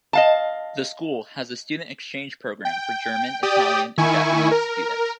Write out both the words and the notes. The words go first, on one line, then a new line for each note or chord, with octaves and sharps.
The school has a student exchange program for German, Italian and Japanese students.
D#5 F5 A5
G5
G4 D5 G5 D#6
D#3 E4 G#5 C#6
A#4